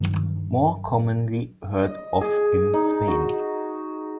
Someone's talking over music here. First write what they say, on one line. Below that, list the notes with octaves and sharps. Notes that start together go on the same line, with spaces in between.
More commonly heard of in Spain.
G2 D#3 F#3
D#5
G#4
D#4
F#4